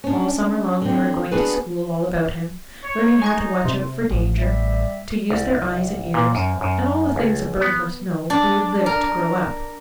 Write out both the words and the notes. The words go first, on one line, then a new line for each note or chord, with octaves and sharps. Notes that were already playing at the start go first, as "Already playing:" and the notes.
All summer long they were going to school all about him, learning how to watch out for danger, to use their eyes and ears, and all the things a bird must know who would live to grow up.
C#4 D4
D3 C4
B3 D4 F#4 G#4 B4
C#5
D#4 G#5 C#6 G#6
C3
A1
G3 E5
C2
A#2
F#2
F#2
C#2
B3
D4
A#4